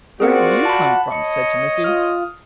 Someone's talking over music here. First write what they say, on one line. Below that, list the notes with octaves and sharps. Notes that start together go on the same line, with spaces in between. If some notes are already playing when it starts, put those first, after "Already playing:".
"Where have you come from?" said Timothy.
C4 F4 F#4 G#4 A#4 D5 F#5
F#5 A5 B5
C#5 D#5 C#7
F4 D#6 F6